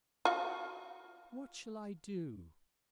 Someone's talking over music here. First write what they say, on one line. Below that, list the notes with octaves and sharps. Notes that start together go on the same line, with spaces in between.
"What shall I do?"
F4 F#4